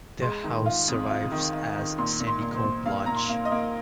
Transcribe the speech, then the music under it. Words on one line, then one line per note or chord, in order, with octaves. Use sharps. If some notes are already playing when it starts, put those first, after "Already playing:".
The house survives as Sandycombe Lodge.
G#3 C6
D#3
F4
F2
F4
D#3
D#3
D#3
A#2 C6
A#2
C6
A#2
C5
A#2
A#2 F5
A#2 A#5
C6
A#3
D#5
A#3